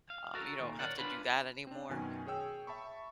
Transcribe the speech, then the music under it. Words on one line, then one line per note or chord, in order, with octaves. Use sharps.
um, you don't have to do that anymore.
F5
F#4 A4 A#4
D#2 A#2
A#4 C#5 D5 F#5
D4 F4 B4 B5
C4 D4
F#2 B2 D#3 F#4 G#5
G#4 C#5 G5 E6
E5 A5 B5 C#6